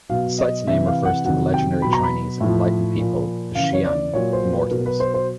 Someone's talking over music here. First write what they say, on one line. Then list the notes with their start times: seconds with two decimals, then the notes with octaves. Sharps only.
The site's name refers to the legendary Chinese enlightened people, the Xian "immortals".
0.09 B2 F#3 F5
0.38 D#5
0.67 C3 E3 E5
0.87 F5
1.05 F#5
1.25 C3 D#3 F#3 F#5
1.54 G5
1.82 B2 F#3 B5
1.93 A#5
2.03 B5
2.41 A2 F3
2.98 A#2 F3
3.55 C#3 E3 F5
3.73 C#5
3.85 D5
4.14 A#2 F#3 C#5
4.33 C5
4.52 B4
4.71 B2 F#3 A#4
4.86 B4
5.00 C5
5.14 C5